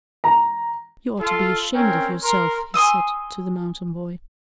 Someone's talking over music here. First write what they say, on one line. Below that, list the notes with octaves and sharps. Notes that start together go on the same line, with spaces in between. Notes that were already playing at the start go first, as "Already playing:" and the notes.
"You ought to be ashamed of yourself," he said to the mountain boy.
A#5
F4 A4
C4 C#4 A#4 G5
A#4 C6
G#5 C6 D#6 E6